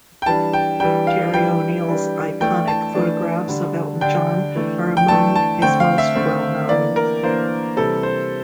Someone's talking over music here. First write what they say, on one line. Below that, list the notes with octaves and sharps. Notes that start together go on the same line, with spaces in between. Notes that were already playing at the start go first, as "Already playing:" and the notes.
Terry O'Neill's iconic photographs of Elton John are among his most well-known.
G5
E3 G3 D4 A5
G5
E3 G3 D4 G5
F5
E3 G3 D4 G5
E3 G3 D4
E3 A3 D4 G5
A5
E3 A3 D4
D3 G3 D4
D3 G3 D4 G5
E3 A3 D4
G5
E3 A3 D4 A5
A5
D3 A3 C4 G5
F5
E5
D3 A3 C4
E3 A#3 D4 D5
A#4
E3 A#3 D4 C5
C3 E3 G3 C4 A4
C5